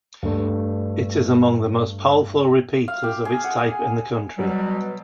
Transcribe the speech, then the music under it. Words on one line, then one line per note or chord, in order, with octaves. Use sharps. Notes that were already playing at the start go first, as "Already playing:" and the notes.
It is among the most powerful repeaters of its type in the country.
G2 A3
F5
G4
G#4
F#5
G#5
B2 F#3 G3